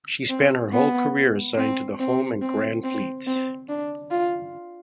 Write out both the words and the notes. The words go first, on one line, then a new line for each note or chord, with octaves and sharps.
She spent her whole career assigned to the Home and Grand Fleets.
C4
B3
C4
C4
C4
C4
C4
D4
F4